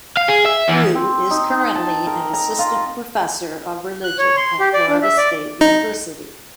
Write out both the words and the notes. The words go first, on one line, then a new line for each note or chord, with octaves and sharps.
Yu is currently an Assistant Professor of Religion at Florida State University.
F5
G#4
E5
E2
C4
D#4
A5
A#4
A#5
F4
F#6
C#5
C6
G4
D5
D4
E5
D5
D#4